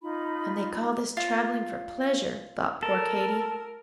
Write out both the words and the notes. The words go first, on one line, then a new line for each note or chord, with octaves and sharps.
"And they call this travelling for pleasure!" thought poor Katy.
D#4 F4 B5
F4
A4 A#4